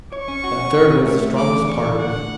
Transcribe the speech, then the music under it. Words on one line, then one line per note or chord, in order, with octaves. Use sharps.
That third was the strongest part of me.
C#5 C#6
C#4
F#4
C#4
B2
C#4
A3
A3
E2 D6
D4
E2 C#6
D4
D3 F#5